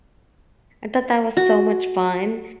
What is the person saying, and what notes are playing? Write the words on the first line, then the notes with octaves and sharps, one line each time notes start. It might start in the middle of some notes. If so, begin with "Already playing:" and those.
I thought that was so much fun,
F#4